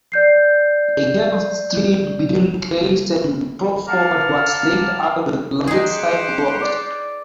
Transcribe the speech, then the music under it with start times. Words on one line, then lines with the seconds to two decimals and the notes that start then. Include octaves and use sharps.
The curved street between Grace and Crawford was laid out with larger sidewalks.
0.12 D5 G6 C7
3.88 F5 F#5 A5 A#5 D6 F6
5.67 D#4 G4 G#4 C5 F#5
6.60 D5 D6